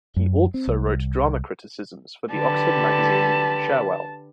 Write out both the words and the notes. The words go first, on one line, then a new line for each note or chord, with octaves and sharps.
He also wrote drama criticisms for the Oxford magazine "Cherwell".
F#2
C4
C2
D3 G4 B4 A5